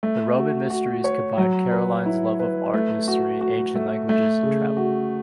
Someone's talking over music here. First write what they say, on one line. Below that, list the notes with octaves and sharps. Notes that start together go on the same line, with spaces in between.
"The Roman Mysteries" combine Caroline's love of art history, ancient languages and travel.
A3
F#4
F#4
C#5
F#3
B4
E4
B4
A3
F#4
F#4
A3
A3
C#3
F#4